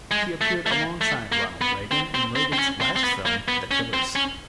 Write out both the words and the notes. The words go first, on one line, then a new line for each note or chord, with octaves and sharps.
He appeared alongside Ronald Reagan in Reagan's last film, "The Killers".
G#3
A3
A3
A#3
A3
A#3
B3
C4
C4
C4
C4
C#4
C4
C4
B3
A#3
B3
C#4
C4
C#4